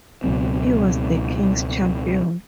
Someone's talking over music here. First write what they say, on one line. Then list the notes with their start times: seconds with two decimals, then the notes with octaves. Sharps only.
He was the King's champion.
0.24 C#2 B2 F#3 C4